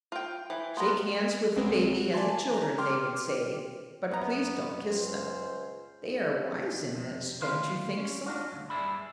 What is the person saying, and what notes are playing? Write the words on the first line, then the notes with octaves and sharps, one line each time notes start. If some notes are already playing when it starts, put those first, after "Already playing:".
"Shake hands with the baby and the children," they would say, "but please don't kiss them." They are wise in this,--don't you think so?
F4 G5
E3
B3 A#4 C6
B1 G#3 C4
F#4
D5 G#5 A5 C6 A6
A#5
G5 C6 D6 F6
F#2 B3 A#5
C#2 C5
F2 C3
D2 A#2 D#3 E4 F5 C6
C#4
D4 F4 F#4
D2 G2
G2 G#4 D5 E5 B5